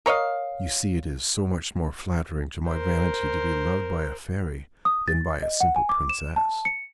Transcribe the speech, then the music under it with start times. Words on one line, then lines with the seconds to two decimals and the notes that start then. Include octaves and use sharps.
You see it is so much more flattering to my vanity to be loved by a fairy than by a simple princess.
0.06 A#4 C#5 D#5 F5
2.69 A#4 C5
4.85 D#6
5.08 A6
5.43 D#5
5.61 F#5
5.76 G#5
5.89 D6
6.09 E7
6.36 A5
6.65 C#7